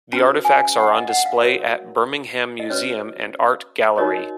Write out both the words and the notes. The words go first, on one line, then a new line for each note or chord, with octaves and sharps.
The artifacts are on display at Birmingham Museum and Art Gallery.
C#4 F#4 B4 A#5
G#5
F#5
D#5
F#5
F5
F#4 A#4 C#5
D#5
C#4 F#4 B4 C#5
D#4 F#4 A#4 C#5 D#5